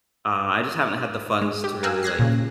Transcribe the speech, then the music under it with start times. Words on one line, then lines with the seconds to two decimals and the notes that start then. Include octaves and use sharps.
uh, I just haven't had the funds to really, like
1.41 G#3
1.64 G4
1.83 A#4 F5 G5 G#5 E6 F#6
2.03 F#6 G#6 A#6 C7
2.19 A#2 C#3